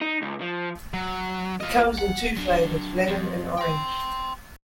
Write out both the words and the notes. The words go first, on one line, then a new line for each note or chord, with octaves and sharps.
It comes in two flavours, lemon and orange.
D#4
C#2
F3
F#3
F4 D#5
F#5
F#3 D4
F2
G5 C6